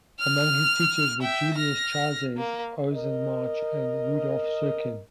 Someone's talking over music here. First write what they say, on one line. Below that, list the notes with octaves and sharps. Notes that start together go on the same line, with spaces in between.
Among his teachers were Julius Chajes, Ozan Marsh and Rudolf Serkin.
F6
E5 G5
F6 A#6
A#3
A#4 D#5